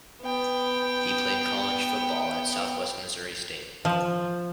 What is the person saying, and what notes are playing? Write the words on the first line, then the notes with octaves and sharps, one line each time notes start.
He played college football at Southwest Missouri State.
B3 G5
F3